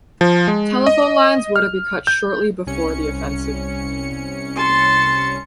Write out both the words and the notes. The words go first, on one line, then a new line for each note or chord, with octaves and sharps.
Telephone lines were to be cut shortly before the offensive.
F3
G#3
D#5
F6
G6
C2 C#4 C#7
A5 C6